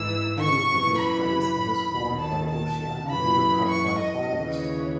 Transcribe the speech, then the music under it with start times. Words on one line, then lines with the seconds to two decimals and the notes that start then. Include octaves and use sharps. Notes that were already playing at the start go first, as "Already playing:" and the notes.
He retained his place in the squad for the Oceania World Cup qualifiers.
Already playing: G#2 E3 E6
0.38 C#6
0.68 F#2 E3
0.98 B5
1.88 D#2 D#3
2.18 A5
2.48 A5
3.08 F#2 E3 B5
3.69 C#6
3.98 D#5
4.29 D#2 C#3 E3
4.59 C#5